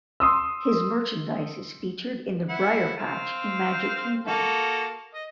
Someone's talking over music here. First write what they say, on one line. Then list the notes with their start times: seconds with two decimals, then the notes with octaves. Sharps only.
His merchandise is featured in the Briar Patch in Magic Kingdom.
0.20 C6 D#6 E6
2.49 E4 F#5
2.99 C4 F5
4.27 A#3 F#4 A4
5.15 D#5